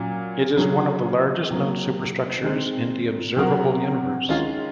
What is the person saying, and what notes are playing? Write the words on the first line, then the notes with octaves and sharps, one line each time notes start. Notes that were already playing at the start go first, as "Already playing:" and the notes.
It is one of the largest known superstructures in the observable universe.
Already playing: A#2 F#3 C#4
C#3 F#3 C#4 G#4
C3 F#3 A#3
D#3 G#3 C4
C3 F#3 C4 F#4 A#4
D#3 G#3 C#4 F4 G#4